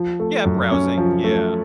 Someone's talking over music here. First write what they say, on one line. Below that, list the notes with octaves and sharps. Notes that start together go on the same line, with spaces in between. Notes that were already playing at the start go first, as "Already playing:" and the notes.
Yeah, browsing, yeah.
Already playing: F3
A3
F#2
C#4
F3
A3